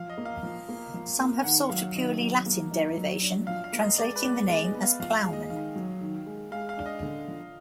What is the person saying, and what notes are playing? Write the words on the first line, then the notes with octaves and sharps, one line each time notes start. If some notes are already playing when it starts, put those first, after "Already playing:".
Some have sought a purely Latin derivation, translating the name as "plowman".
Already playing: F3 F5
D#5
A#3
F5
F3
A#3
F3
A#3
D#3 F#5
F#3 F5
D#3 D#5
F#3
A#3
D#4
F#3
D4
F3 F5
F5
A#3
D#5
G#3 D5
B4
B3 D5
B4
G#3 D5
D#5
B3
F5
F3 F5
G#3
D#5
D#3 F5
F#3
D#3
G#3
G#3 F5
F5
D4
D#5
D3
F3